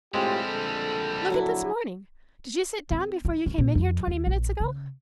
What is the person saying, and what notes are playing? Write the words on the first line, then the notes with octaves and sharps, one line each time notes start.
"Look at this morning--did you sit down before you came in here twenty minutes ago?"
A2 G3 G#3 C4 E4 F4 G4
A#1 D3 A4
F#3 D4 E4
C4
E4
C#4
A#2
F2
D#2
A#1
C#3